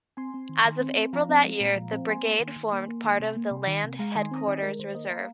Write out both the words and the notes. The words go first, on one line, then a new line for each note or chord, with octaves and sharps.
As of April that year, the brigade formed part of the Land Headquarters Reserve.
C4 G#5 C6
C4
D#3
D#3
C4
C4
F3 F5 A#5
C4
G#3
A#2
F3
C4
A#3 G#5 C6
A#3
D#3
D#3
A#3
A#3
D#3 G#5 C6
C3
A#3
C3
D#3
C3
G#3 F5 A#5
D#3 D#5 G#5
G#5 C6
C4 A#5 D#6
D#3 D#5 G#5
G#3 A#4
D#3 C5
A#3 A#4 D#5
A#3 F5 A#5